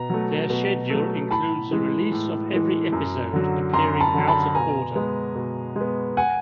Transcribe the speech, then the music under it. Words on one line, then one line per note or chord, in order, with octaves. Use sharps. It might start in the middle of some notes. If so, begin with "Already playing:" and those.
Their schedule includes a release of every episode, appearing out of order.
Already playing: B2 A#5
F#3 A3
B2
F#3 A3
A2 A5 B5
E3 G#3
A2
E3 G#3
F#2
D3 F#3
F#2 A#5 C6
A5 B5
D3 F#3
A5 B5
B2 G#5 A#5
G#3 B3
B2
G#3 B3
F#5 G#5